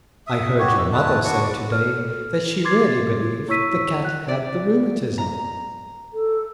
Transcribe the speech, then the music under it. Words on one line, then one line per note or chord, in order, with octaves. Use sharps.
I heard your mother say to-day that she really believed the cat had the rheumatism.
E5 D#6
F#4 G4 C#5
E6
G#3 A3 B4 A5
D4 F#4 C#6
D5
A4 F6
C6 D6 G#6 A6 C7
E4 C#5 C#6 E6 B6 D#7
F#6
D5
A#5
A4